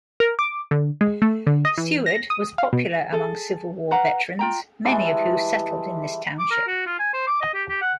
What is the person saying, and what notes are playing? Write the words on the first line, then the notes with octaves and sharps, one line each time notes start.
Seward was popular among Civil War veterans, many of who settled in this township.
A#4
D6
D3
G#3
A3
D3
D#5
E3
A#6
D#6
F5
B2
G#4 A4
B4 F5 F#5 A#5
F4 G5 A#5
E3 G3 G#3 A4
D6
A#4
F#4
F4
G#5
C5
D6
D#5
G4
G4
F#5